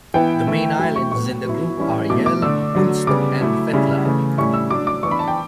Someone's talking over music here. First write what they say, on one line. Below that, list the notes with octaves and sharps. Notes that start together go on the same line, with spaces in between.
The main islands in the group are Yell, Unst and Fetlar.
E3 B3 E4 G5
E3 A3 E4
F#3 A3 E4 G5
C#6
A2 F#3 B3 C#6
F#3 B3 E4
E3 G3 C#4 E4
B2 F#3 A3 E4 D6
D6
D3 A3 D4 E6
D3 F#3 A3
C#3 G3 B3 D6
F#3 A3 E4
C#3 G3 C#4 E4
C#3 E3 A3
A2 G3 C#4 E4 C#6
E6
F#3 A3 D4 D6
D6
E3 B3 D4 C#6
B5
A5
G5